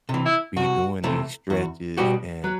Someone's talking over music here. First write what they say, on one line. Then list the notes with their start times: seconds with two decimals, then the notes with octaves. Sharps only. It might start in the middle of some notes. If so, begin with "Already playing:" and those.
be doing these stretches and
0.09 C3
0.14 E3
0.25 E4
0.56 C2 F#4
1.04 C3 E3 A3
1.50 E2 F#4
1.97 B2 G3 B3 F#4 G4
2.44 F#3 B4